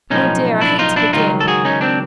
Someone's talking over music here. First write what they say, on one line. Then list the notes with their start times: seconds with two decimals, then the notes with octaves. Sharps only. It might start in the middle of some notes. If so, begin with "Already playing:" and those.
Oh, dear, I hate to begin.
0.10 B1 A2 F3 C#4 D#4
0.61 D4 E4
0.79 D#4 F4
0.96 D4 E4
1.13 C#2 C3 D#3 F#3 D#4 F4
1.41 A4
1.47 F#4 G#4
1.65 C#4 D#4
1.81 C4 D4